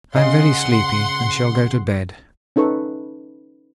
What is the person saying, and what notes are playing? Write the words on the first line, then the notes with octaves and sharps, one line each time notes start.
I am very sleepy and shall go to bed....
C#3 D#5 F#5 C6
C#4 D#4 A4 B4 C#6